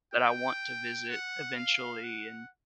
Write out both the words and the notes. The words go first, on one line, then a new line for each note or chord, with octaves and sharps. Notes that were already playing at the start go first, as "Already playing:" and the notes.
that I want to visit eventually and,
G5
F#5
F5
F#5